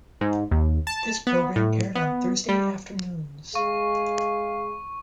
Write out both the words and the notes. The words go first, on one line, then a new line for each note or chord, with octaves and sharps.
This program aired on Thursday afternoons.
G#2
D#2
A5
B3
A2
B3
G3
G#3 G#4 F5 C#6